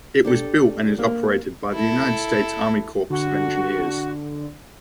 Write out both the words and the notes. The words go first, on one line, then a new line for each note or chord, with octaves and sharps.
It was built and is operated by the United States Army Corps of Engineers.
D4 G4 A4
A#3
E4 A4
D3 F#4